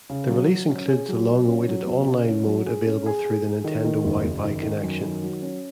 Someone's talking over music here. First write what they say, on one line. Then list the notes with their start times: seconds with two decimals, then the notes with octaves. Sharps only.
The release includes the long-awaited online mode available through the Nintendo Wi-Fi connection.
0.09 C#3
0.29 F#3
0.49 F#3
0.69 C#4
0.88 G#4
1.08 F#3
1.29 F#3
1.48 C#4
1.68 F#3
1.87 B2
2.07 C#3
2.27 C#4
2.47 F#3
2.66 G#4
2.86 C#4
3.06 G#4
3.25 G#4
3.45 G#4
3.64 D#3
3.84 D#3
4.04 F#1
4.24 F#1
4.44 D#3
4.63 D#3
4.83 F#2
5.03 D#3
5.23 F#3
5.42 C#4